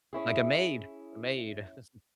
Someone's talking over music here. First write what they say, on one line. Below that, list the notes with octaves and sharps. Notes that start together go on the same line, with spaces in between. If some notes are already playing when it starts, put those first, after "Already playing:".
Like a maid a maid, uh, that's, um
C#4 E4 G#4